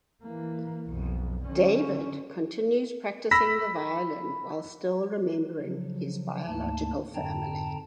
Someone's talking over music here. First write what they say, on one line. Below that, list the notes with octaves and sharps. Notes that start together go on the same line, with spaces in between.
David continues practicing the violin while still remembering his biological family.
E3 A#3
B1 F2
D3 C#4
B5 E6 A#6 B6
C#3 F3 F#3
D2 G#2 A3 A#3 D#4 A5
F2 G#2 D3 G5 A5 A#5